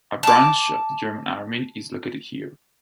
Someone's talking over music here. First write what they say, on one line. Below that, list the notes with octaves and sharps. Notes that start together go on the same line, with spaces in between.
A branch of the German Army is located here.
A5 D6